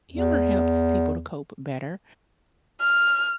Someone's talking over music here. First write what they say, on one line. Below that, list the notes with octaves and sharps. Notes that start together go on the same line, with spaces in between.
humor helps people to cope better,
E2
F6